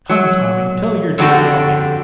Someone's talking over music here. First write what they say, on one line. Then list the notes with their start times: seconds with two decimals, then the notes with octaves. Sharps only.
Come, Tommy, tell your dear Cluppy.'
0.09 F#3
1.18 F2 D3 D4 F#4 G4